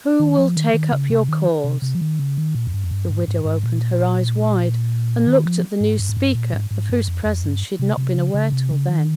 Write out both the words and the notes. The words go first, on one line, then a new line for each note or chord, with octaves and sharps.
Who will take up your cause?' The widow opened her eyes wide, and looked at the new speaker, of whose presence she had not been aware till then.
D#3
F3
D#3
D#3
C#3
C3
D#3
C3
C3
F3
D#3
C#3
D#3
A#2
F2
G2
F2
G2
G#2
G#2
G#2
A#2
D#3
F3
G#2
G2
G#2
G2
A#2
G#2
G#2
G2
F2
F2
G2
C3
C3
C#3
C#3
C3
C#3
D#3